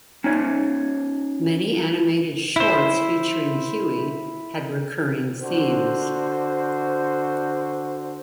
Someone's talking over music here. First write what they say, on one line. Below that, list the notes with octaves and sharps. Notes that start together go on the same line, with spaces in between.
Many animated shorts featuring Huey had recurring themes.
C#4 D#4 F4 C#5
E4 C5
D3 F#4 C5